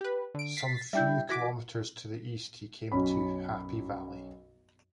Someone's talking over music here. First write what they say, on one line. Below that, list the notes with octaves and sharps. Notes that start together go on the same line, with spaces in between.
Some few kilometres to the east he came to Happy Valley.
G4 B4
D3 D7
A6 B6 C7
G3 D4 E4 E5 G5 G6
E3 F#4 D6 G#6 A#6 B6
B1 F#2 C#4 B5